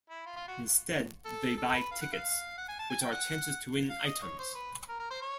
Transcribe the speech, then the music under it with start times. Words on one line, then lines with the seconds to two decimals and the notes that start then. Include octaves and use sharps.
Instead, they buy tickets, which are chances to win items.
0.10 E4
0.26 F4
0.36 F4
0.48 F#4
1.25 A4
1.58 A4
1.74 B4
1.91 F5
2.01 F#5
2.12 F5
2.58 F#5
2.68 G#5
2.79 A5
2.90 G#5
3.01 G5
3.12 F#5
3.90 F5
4.05 D#5
4.22 C#5
4.39 C5
4.55 B4
4.89 A#4
5.00 A#4
5.10 C5
5.22 C#5